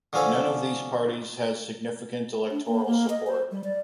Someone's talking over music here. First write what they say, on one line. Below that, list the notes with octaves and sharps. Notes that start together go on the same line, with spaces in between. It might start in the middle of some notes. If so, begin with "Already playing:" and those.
None of these parties has significant electoral support.
D3 F3 C#4 A4 G#5
D4
A#3
A#3
D#5
C5
G3
D5